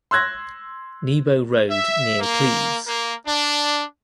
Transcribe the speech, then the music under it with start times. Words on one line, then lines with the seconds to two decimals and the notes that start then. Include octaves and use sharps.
Nebo Road near Cleves.
0.11 C6 E6 F#6 G#6 A#6
1.70 E5
2.20 A#3
2.88 A#3
3.27 D4